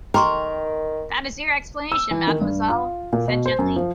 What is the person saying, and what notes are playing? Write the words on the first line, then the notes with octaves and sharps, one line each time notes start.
"That is your explanation, mademoiselle," he said gently.
D#3 A#4 G5 C6 C#6
E6
E3
D#3
G2
F4
A#2
B2
C5
F#2
F3